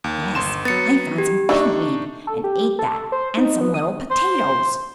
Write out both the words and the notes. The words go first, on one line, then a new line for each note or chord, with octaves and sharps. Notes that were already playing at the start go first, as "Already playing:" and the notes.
"Yes, I found some pig weed, and ate that, and some little potatoes."
D#2
G1 C6 E7
F#3 B3 A6 C#7
G4
D3 A3 D4 D#4 D#5 C#6
A4
G4
A4
C5
D#4
B3
D#6
C5